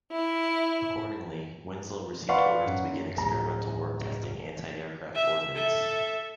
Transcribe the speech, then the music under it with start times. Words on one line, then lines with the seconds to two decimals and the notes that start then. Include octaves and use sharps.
Accordingly, "Winslow" received orders to begin experimental work testing antiaircraft ordnance.
0.12 E4
2.28 B4 D5 F5 F#5 C6 C#6
2.66 F#2
3.17 D1 A#5
5.15 E5
5.55 A4 E5